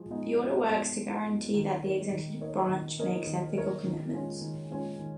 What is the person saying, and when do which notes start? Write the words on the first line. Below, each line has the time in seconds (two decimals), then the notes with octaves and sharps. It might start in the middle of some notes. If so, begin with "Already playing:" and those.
The order works to guarantee that the Executive Branch makes ethical commitments.
Already playing: F3 G#3
0.10 G#3 B3 D#4
0.39 F3
0.68 G#3 B3 D#4
0.97 F3
1.26 G#3 B3 D#4
1.54 D#3
1.83 A#3 D#4 A#4 C#5
2.12 D#3
2.40 A#3 D#4 A#4 C#5
2.69 D#3
2.98 A#3 D#4 A#4 C#5
3.27 D#3
3.55 A#3 D#4 A#4 C#5
3.84 D#3
4.13 G#3 C#4 F4
4.41 D#3
4.70 G#3 C#4 F4
4.99 D#3